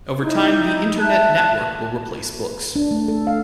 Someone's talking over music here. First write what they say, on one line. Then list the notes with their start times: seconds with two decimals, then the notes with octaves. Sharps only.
Over time the Internet network will replace books.
0.20 D#4 E4
0.99 E5 A5 F#6
2.76 D4
2.91 A3
3.08 A4
3.27 F5